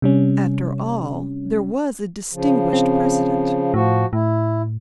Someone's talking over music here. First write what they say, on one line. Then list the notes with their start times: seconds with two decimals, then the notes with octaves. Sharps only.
After all, there was a distinguished precedent.
0.02 C3 G3 C#4
2.33 C#3 F3
2.73 C4
3.74 A2 F3 F#4
4.13 A2 E4